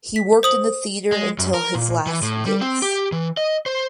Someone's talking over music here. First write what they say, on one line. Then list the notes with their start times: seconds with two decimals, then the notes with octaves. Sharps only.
He worked in the theater until his last days.
0.16 B6
0.43 C5 D#6 F#7
1.12 G#3
1.38 F#2
1.54 A#4
1.75 A#2
2.07 E3
2.22 A2
2.46 G3
2.61 C4
2.82 G4
3.12 E3
3.37 D#5
3.66 C5